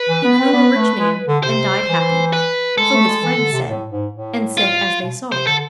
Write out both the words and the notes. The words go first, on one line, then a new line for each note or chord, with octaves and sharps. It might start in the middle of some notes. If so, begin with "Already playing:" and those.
He grew a rich man, and died happy--so his friends said, and said as they saw.
Already playing: B4
E3
B3
C4
B3
A3
G#3
D3
C3 C5
E3
B4
G#3 A4
A3
G#3
E3
D3
C3
A2
G#2
A2
F4
B2
C3 C5
D3 A4